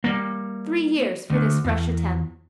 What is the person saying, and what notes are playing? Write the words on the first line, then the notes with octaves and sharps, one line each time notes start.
Three years for this fresh attempt.
G3 A#3
D2
E2